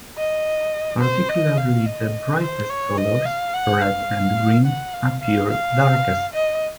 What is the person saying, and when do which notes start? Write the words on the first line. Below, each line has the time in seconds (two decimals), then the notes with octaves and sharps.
Particularly the brightest colors, red and green, appear darkest.
0.17 D#5
1.01 C5
1.29 D#5
1.57 F5
1.86 D#5
2.41 C5
2.69 C#5
2.97 D#5
3.25 F5
3.54 F#5
3.81 F5
4.66 F#5
4.93 F5
5.22 F5
5.50 F5
6.33 D#5